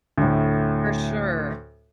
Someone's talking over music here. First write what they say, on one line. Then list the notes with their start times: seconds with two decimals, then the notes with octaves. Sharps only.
For sure.
0.18 D2 A2